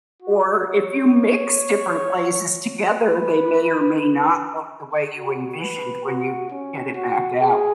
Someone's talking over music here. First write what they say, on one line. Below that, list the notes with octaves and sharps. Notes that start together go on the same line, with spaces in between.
Or if you mix different glazes together, they may or may not look the way you envisioned when you get it back out.
F#4
C#5
B4
F#4
B4
F#4
C#4
F#4
G#4